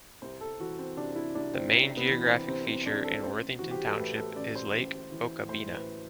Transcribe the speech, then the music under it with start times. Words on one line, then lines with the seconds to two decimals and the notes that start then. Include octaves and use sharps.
The main geographic feature in Worthington Township is Lake Okabena.
0.22 C2 C5
0.41 A4
0.60 E3 F#4
0.79 C4
0.97 C3 D4
1.16 E4
1.35 C2 D4
1.54 C4
1.72 C2 C4
1.97 B3
2.10 E3
2.22 C4
2.48 C3 C4
2.67 C4
2.86 C2 D4
3.04 A4
3.24 A1 C5
3.59 E3 F#4
3.71 G4
3.85 A4
3.98 A2 B4
4.17 A4
4.36 A1 D5
4.55 C5
4.74 A1
5.12 E3
5.49 A2 C5
5.74 B4